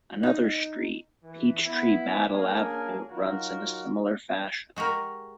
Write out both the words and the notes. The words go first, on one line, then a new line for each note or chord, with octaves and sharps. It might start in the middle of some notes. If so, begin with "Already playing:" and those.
Another street, Peachtree Battle Avenue, runs in a similar fashion.
D#4
E3
B3 E4
A#3 C#4 D4 G#4 A#4
D#3 F#3 F4 F#4 A#4
G#3 F#4 G4 A#4